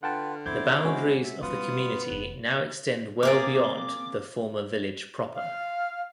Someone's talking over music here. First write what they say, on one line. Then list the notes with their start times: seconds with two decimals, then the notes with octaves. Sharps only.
The boundaries of the community now extend well beyond the former village proper.
0.03 D3 F4 B4 F#5 G5 A5
0.46 B3 C4 E4 C5 D6 G6 G#6
0.85 G#3 C#4 F#4
1.24 E5
1.42 G3 B3 F4 F5 D#6
2.10 F1 C#3
3.23 A#3 C4 G#4 D5 D6
5.35 F5